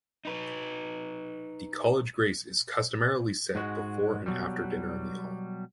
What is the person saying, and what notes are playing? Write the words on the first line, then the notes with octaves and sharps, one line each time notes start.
The college grace is customarily said before and after dinner in the hall.
D#4 B4
G#2 G#3 F#4
B2 F#3 G3